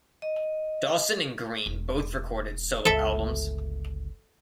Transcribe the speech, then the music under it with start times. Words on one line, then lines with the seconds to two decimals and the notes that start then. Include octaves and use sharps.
Dawson and Green both recorded solo albums.
0.22 D#5
1.66 E1
2.85 G1 C#2 A4 E5